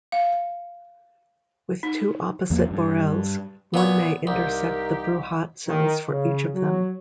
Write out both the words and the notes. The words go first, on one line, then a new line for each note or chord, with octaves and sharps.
With two opposite Borels one may intersect the Bruhat cells for each of them.
F5
D#4
E2 F3 A#3
G2
A#2 B3 C#5
C2 D#4 G4 A#4
D#3
C#3
F#3